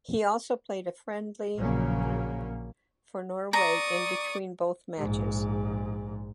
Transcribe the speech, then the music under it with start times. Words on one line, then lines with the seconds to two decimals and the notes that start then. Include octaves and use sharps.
He also played a friendly for Norway in between both matches.
1.58 A#1 A#2 C#3 F#3 A#3 C#4
3.53 D5 A#5 C#6 D#6
4.98 A#1 G#2